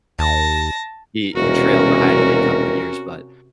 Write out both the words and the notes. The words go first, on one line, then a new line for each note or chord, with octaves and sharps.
He he trailed behind me a couple years, but,
D#2 A5 A#6
E1 C3 C#4 F#4 A#4